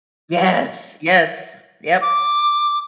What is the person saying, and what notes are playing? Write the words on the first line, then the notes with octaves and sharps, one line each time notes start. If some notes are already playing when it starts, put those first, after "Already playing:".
Yes, yes, yep.
D6